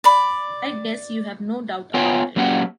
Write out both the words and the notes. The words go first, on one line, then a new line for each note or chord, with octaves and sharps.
I guess you have no doubt about it.
D5 B5
B3 F4 C#5 G5 G#5
F#3 A#3 C#4 G4 F#5